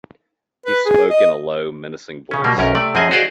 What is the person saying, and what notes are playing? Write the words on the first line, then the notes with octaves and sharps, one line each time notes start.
He spoke in a low, menacing voice.
B4
G#4
D#5
C#3 C#4
B2 G3 A#3
B1 F#2 C#4 A#4
C3 A3 D5
F#2 F3 C4 G#4 D#5 G#5
F#4 G#4 C5 D5 D#5 F5